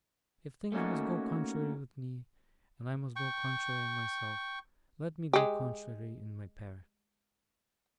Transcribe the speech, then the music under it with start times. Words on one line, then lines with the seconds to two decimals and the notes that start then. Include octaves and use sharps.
If thinks must go contrary with me, and I must go contrary myself, let me go contrary in my parish.
0.72 A3 A#3 C#4 D#4 F#4
3.16 G5 C#6
5.33 G#3 G4